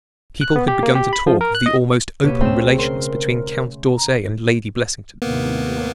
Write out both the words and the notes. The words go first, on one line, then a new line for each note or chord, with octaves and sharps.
People had begun to talk of the almost open relations between Count d'Orsay and Lady Blessington.
F#6
B3
G4
A#3
G4
B5
F3
A#4
F#6
D#5
B2 A#3 G4 B4 C#5 A5 D#7
C#2 C#3 A3 C4 E7
A#4 C6
A#5
D#2 A2 C3 A#3 B3